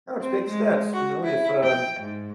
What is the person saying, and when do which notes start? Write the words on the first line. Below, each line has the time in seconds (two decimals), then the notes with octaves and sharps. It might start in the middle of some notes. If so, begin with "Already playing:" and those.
No, it's big steps, you know? If, um
0.20 C4
0.49 G#3
0.93 F#4
1.24 E4
1.63 G5
1.99 G#2